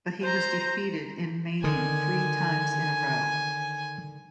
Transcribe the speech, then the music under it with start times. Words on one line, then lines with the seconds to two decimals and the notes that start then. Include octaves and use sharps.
But he was defeated in Mani three times in a row.
0.23 C5 A#5
1.64 D3 D#3 G#5